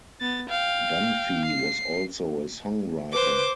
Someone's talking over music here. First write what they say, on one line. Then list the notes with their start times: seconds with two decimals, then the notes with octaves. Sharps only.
Dunphy was also a songwriter.
0.21 B3 A6
0.50 F5 G5
1.46 C7
3.13 B4 C5 D6